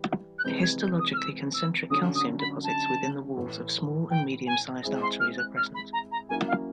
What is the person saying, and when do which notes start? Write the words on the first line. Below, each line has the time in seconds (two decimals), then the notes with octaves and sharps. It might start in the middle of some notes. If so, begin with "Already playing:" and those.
Histologically concentric calcium deposits within the walls of small and medium-sized arteries are present.
Already playing: E3 G3
0.38 F#6
0.44 C3 E3 G#3 C4 G6
0.63 G#6
0.81 G6
0.99 D#6
1.13 F6
1.17 E6
1.54 E6
1.90 D3 F#3 A3 C#4 D#6
2.15 D#6
2.39 B5
2.64 A5
3.37 A2 E3 A3
4.10 G5
4.46 G#5
4.83 G#3 C4 E4 G#4
5.01 C6
5.19 F6
5.38 F#6
5.56 F6
5.74 B5
5.93 A#5
6.11 A#5
6.29 F#3 A#3 C#4 E4 G#5
6.47 F5